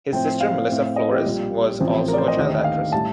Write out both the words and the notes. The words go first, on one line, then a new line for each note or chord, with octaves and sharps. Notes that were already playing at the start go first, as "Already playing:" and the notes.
Her sister, Melissa Flores, was also a child actress.
A2 F3 C4 G5
F5
A2 A3 C4
D#5
G4
A#1 A#2 G3
A1 A2 F3 C4
A#4
D5
C5
D#5
D#2 D3 A3 D#4
D#5
F5
A2 G3 A5